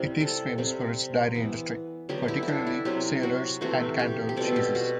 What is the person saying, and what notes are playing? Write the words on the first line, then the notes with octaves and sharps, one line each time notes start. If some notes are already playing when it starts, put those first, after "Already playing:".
It is famous for its dairy industry, particularly Salers and Cantal cheeses.
Already playing: C3 G3 C4 E4 G4
A4
C3 G3 C4
E3 B3
D3 F#3 B3 G4
E4
E4
D4
E4
C3 F#3 C4 G4
F#4
C3 E3 A3 C4 F#4
G4
G4
B2 G3 C4 A4
G4
F#4